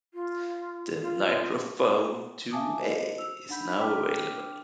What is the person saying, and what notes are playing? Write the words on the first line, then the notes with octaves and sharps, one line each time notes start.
The "NitroPhone two a" is now avaiable.
F4
F4
E5 F5 G#5 A5 D6 D#6
F#4 C5 D#5
E6 F7
D4 D#4 F#5 B5 G6 B6
D4 G5 D6 F6 B6